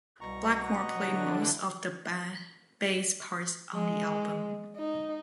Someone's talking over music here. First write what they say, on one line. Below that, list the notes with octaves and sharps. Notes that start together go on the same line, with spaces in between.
Blackmore played most of the bass parts on the album.
C2 B2 A#5 C#6
D#5 F#5
D3 E3 F#3 D4
G#3
D#4